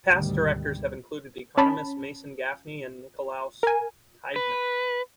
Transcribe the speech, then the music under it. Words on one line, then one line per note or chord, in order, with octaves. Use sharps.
Past directors have included economists Mason Gaffney and Nicolaus Tideman.
D2 G#2 B2 D3 D#3 G3
C#4 A5 B5
A#4 G#5
B4